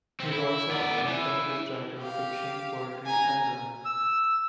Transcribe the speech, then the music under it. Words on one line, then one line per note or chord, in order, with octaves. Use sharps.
He is also an accomplished writer of fiction, poetry, and drama.
C4 G4
E4
B3 D5
E3
G4 F5
G#5 A#5
E6